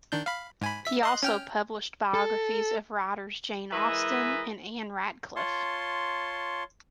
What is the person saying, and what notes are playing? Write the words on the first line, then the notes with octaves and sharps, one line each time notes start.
He also published biographies of writers Jane Austen and Ann Radcliffe.
D#3 D4 G6
F5 B5
G#2 G#5 B5
E5 B6
D#5 C6 F#6
C#4 G5 F6
A4
E3 G#3 A#4 B4 D#5 E5
F4 C#5 A5 C6